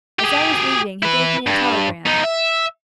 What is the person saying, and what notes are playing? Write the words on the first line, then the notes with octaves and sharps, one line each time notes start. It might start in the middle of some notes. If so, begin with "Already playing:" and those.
As I was leaving he gave me a telegram.
G4 G#4
E4 B4
G2
B3 D#4
E5